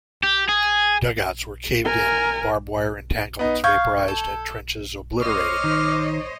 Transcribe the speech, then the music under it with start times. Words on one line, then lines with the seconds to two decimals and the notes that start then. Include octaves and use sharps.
Dug-outs were caved in, barbed-wire entanglements vaporised and trenches obliterated.
0.23 G4
0.49 G#4
1.85 A#4 G#5
3.39 B3 D#4
3.64 F5 C#6 G6 G#6
4.08 A4
5.21 C5 C#5 D#5 D6 F6
5.64 D#3